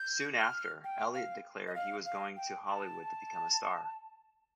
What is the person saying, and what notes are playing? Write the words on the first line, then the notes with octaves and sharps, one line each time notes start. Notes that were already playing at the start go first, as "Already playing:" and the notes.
Soon after, Elliott declared he was going to Hollywood to become a star.
Already playing: G6
F6
G5
F5
D#5
F5
F5
G5
A5